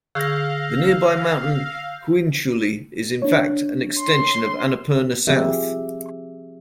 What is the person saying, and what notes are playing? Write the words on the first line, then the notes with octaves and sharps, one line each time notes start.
The nearby mountain Hiunchuli is in fact an extension of Annapurna South.
D3 G#4 F5 C#6 E6 G6 A#6
D4 C#5
C6
F3 C4 G4 G#4 E5